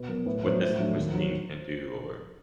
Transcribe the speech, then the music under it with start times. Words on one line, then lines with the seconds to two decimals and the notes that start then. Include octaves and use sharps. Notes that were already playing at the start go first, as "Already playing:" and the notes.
what this machine can do," or
Already playing: B2 B4
0.08 F#3 B3 A#4
0.26 A2 B4
0.44 F#3 B3 D4 C5
0.61 A2 C5
0.79 F#3 A3 D4
0.96 D#2
1.14 D#3 F#3